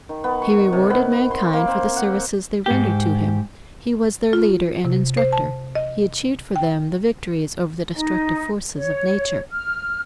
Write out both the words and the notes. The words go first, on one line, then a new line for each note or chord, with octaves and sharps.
He rewarded mankind for the services they rendered to him; he was their leader and instructor; he achieved for them the victories over the destructive forces of nature.
D#3
B3
C#6
C3
B3
C6
A#3
C4
F#5
G#2 G4
F4
C3
C5
A5
D#5
G5
D#4
C#5
F6